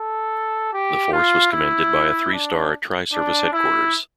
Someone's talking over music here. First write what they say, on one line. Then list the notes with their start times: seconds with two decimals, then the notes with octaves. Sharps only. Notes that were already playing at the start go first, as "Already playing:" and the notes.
The force was commanded by a three-star tri-service headquarters.
Already playing: A4
0.73 G4
1.12 F4
1.53 E4
2.33 D4
3.13 D4
3.53 E4